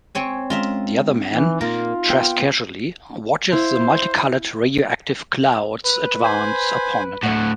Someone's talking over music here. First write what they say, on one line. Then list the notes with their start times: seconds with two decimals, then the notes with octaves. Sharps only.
The other man, dressed casually, watches the multicoloured radioactive clouds advance upon them.
0.15 C4 C#5 G#5
0.50 G#3 C#4 F4 A#4 E5
1.32 E3 D#4
1.61 A#2 A#3 F4 A#4
2.10 B3 G5
3.52 E4 C5 F5
5.84 B4
6.24 C5 G#5 B5
7.23 D2 A2 F#5